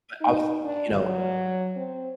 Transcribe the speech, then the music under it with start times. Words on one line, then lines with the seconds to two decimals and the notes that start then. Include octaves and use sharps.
but obviously, you know,
0.21 D#4
0.65 D4
0.99 F#3
1.77 C4